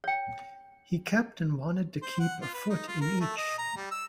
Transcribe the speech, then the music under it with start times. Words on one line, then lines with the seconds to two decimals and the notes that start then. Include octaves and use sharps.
He kept and wanted to keep a foot in each.
0.04 C#5 G5
2.02 C5
2.20 F#5
2.42 F4
2.54 B4
2.70 D#4
2.88 F4
3.01 A#4
3.21 A3
3.37 D#5
3.59 A#5
3.77 G3
3.91 E6